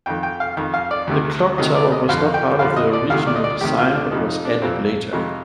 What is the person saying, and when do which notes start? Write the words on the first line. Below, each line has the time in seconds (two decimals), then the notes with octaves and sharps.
The clock tower was not part of the original design, but was added later.
0.06 F2 D#3 G5
0.23 G5
0.40 F5
0.57 F2 D#3
0.74 F5
0.91 D5
1.07 D2 C3 D#3
1.58 D2 C3 D#3 D#5
1.75 D5
1.92 D#5
2.09 F2 D3 F3 F5
2.34 G5
2.59 F2 D3 F3 F5
2.76 D#5
2.93 D5
3.10 D2 C3 D#3 F5
3.27 D5
3.36 D#5
3.44 D5
3.61 D2 C3 D#3 G4
3.78 F4
3.95 D4
4.11 F2 C3 F3 D#4
4.28 D#4
4.45 D4
4.62 F2 C3 F3 C4
5.13 F2 C3 D#3 G#3